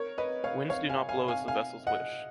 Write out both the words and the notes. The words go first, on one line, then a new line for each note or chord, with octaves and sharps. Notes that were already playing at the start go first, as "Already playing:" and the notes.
Winds do not blow as the vessels wish.
Already playing: A#4 C#5
B4 D#5
C#5 F5
C#5 F5
F5 G#5
F5 G#5
F5 G#5
F5 G#5
D#5 F#5